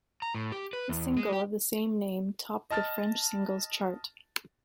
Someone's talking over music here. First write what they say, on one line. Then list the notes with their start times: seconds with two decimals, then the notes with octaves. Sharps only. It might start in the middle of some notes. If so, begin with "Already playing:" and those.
The single of the same name topped the French Singles Chart.
0.22 A#5
0.35 A2
0.52 G4
0.73 B4
0.89 E2
1.17 G#3
1.32 G4
2.71 D#5 A5 F6 A6